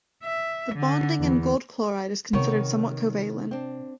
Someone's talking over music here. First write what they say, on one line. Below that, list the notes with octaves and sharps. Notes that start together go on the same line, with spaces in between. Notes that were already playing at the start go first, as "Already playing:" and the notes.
The bonding in AuCl is considered somewhat covalent.
E5
D3
E2
C3 D#3 B3 C#5
C4 D4